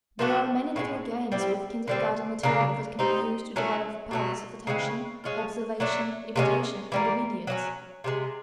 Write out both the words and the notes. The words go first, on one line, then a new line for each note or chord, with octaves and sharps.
There are many little games with kindergarten materials that can be used to develop the powers of attention, observation, imitation, and obedience.
F3 A3 D4 F#4
A2 E3 G#3
G3 C4 E4 G4
D3 G3 C4
C#3 F#3 A#3 D4
G3 C4 D#4
F#3 A3 C#4 E4
B2 F#3 A3
C#3 E3 G#3 C4
G#3 C#4 F4
F#3 A3 D4
C3 F3 G#3 C#4
E3 G3 A#3
F#3 A#3 C#4
C3 F3 G#3